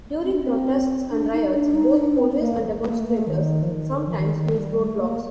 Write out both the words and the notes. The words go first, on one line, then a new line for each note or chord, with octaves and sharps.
During protests and riots, both police and demonstrators sometimes use roadblocks.
C4
D4
C4
D4
D#4
D4
D#4
D4
C4
C4
A#3
A3
A#3
A3
A#3
A3
D#3
F3
D#3
D3
F3
D#3
D#3
A3
G3
A3
A#3